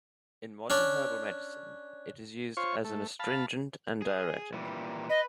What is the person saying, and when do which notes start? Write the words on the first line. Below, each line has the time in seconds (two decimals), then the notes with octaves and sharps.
In modern herbal medicine it is used as an astringent and diuretic.
0.70 C#4 D4 D5
2.57 F4 C5 C#5 C#6
2.84 A3
3.20 F5 A5 B5
4.02 G#4
4.53 A#2 E3 G3
5.09 B4 D#5